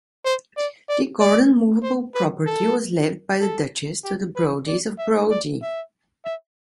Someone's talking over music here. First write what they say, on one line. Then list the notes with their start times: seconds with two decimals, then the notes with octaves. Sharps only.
The Gordon "moveable" property was left by the Duchess to the Brodies of Brodie.
0.25 C5
0.57 D5
0.89 D5
1.20 D5
1.83 C5
2.14 B4
2.46 A4
3.41 A4
4.04 G4
4.36 B4
4.67 D5
4.99 E5
5.30 D5
5.62 E5
6.25 E5